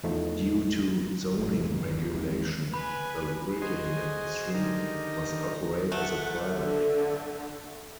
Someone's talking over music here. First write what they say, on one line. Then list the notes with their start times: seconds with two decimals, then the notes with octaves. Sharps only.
Due to zoning regulation, The Wrigley Mansion must operate as a private club.
0.03 E2 F3 A3 D#4
1.39 G#1
1.52 G2 C3 F#3 G#3
1.81 G1
2.01 F2
2.15 F3 G#3 C4
2.74 B4 G#5 B5
3.62 F#4 G#4 C5 D#5 G#5 C6
4.54 D3 D#3 D#4 G4 A#4 A#5
5.92 A3 F#5
6.51 D3